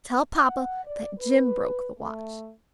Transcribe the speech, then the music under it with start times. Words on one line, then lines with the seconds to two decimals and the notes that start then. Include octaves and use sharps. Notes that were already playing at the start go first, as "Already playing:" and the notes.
"Tell papa that Jim broke the watch."
0.34 F#5
0.85 D5
1.18 B4
1.97 A3